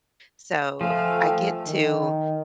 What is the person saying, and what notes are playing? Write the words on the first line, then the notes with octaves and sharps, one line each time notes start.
So, I get to,
F3 A3 F5 G5 G#5 E6
D#3